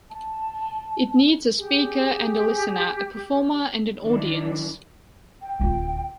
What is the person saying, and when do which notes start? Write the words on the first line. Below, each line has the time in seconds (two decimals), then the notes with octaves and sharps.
It needs a speaker and a listener, a performer and an audience.
0.10 A5
1.58 G4 G#4
4.03 D#3 E3 F#3 D4 E4
5.42 G5
5.60 D1 F4